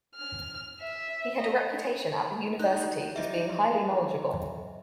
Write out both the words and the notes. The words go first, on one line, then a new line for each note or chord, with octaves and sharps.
He had a reputation at the University as being highly knowledgeable.
F6
E5
D#5
D#4 F#6 G6
F#3 G3 D#4 D#5 E5